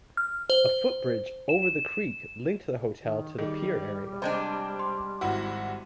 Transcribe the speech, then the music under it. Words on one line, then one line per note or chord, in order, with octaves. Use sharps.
A footbridge over the creek linked the hotel to the pier area.
F6
C5
E7
D#3
D#3 G3 G#4
C3 G#3 D4 C5 G5
C6
G#1 E4 F#4